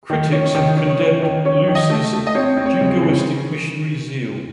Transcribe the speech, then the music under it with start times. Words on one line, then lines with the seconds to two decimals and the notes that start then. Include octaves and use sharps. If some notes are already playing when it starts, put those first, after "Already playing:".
Critics have condemned Luce's jingoistic missionary zeal.
0.10 D#3
0.32 C#4
0.55 D#3
0.77 C#4
0.99 C#4
1.22 D#3
1.45 C#4 C#5
1.67 D#3
1.75 D#5
1.90 A3
2.13 A3
2.27 D#5
2.35 C4 C#5
2.57 C4
2.66 C#5
2.81 C#3
3.03 C#3